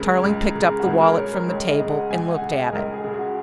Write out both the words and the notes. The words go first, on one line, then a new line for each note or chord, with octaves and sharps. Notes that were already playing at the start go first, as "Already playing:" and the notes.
Tarling picked up the wallet from the table and looked at it.
Already playing: C#2 C#3 A#4
C#2
C#3
F#4
C#2 G#4
A#4
C#3 C#5
A#4
C#2 C#5
D#5
C#3
F#5
C#2 G#5
F#5
C#3
D#5
C#2 A#4
G#4
C#3
F#4